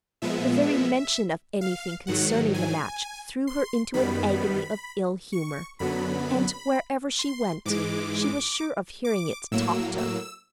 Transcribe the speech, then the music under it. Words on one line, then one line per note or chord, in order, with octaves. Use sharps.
The very mention of anything concerning the match threw her into an agony of ill-humour, and wherever she went she was sure of hearing it talked of.
A#2 F3 G#3 B3 E5
F5
G#2 D#3 F#3 F#5
G#5
C6
F#2 D#3 G3 B3 B5
C#6
F#2 D3 F#3 B3 B5
C6
G#2 E3 G#3 D6
D6
A2 F#3 A#3 E6
E6